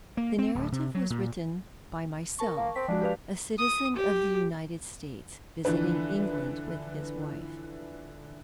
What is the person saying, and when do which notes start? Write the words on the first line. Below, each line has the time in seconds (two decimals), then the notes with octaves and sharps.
The narrative was written by myself--a citizen of the United States, visiting England with his wife.
0.17 A#3
0.39 C4
0.55 D1
0.72 C3
0.95 F#3
1.10 A#2
2.39 A#4 A5 C#6
2.57 A#3
2.76 C4 B6
2.88 F3 G#3 D4 F#4
3.01 G4 B4 F5
3.59 D#6
3.96 G4
5.65 D3 E3 F3 D4 B4